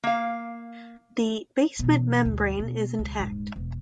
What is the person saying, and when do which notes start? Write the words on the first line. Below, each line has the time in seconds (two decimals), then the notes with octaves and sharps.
The basement membrane is intact.
0.04 A#3 F5
1.79 B2 E3
2.25 D2 G#2
2.59 B2
2.99 C#2
3.20 D#1 G#2
3.56 E1